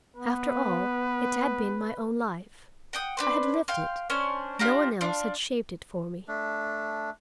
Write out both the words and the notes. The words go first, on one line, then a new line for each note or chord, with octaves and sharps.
After all, it had been my own life; I had lived it; no one else had shaped it for me.
B3 B4
F#5 G5 D#6
D4 B4 C5
F5 G5 C6 F6
C#4 D4 C5 G#5
D4 F4 G4 A#5
D4 F4
A3 D4